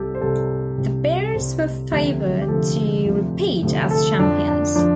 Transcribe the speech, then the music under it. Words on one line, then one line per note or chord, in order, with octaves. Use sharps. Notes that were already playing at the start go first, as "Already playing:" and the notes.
The Bears were favored to repeat as champions.
Already playing: C2 C3 G3 G4 A4
C5
C2 C3 G3 A4
C2 C3 G3
C2 C3 G3 C5
D2 C3 F3
G4
D2 C3 F3 A4
D2 C3 F3
D2 C3 F3
A4
F2 F3 D4
D4
F3 D4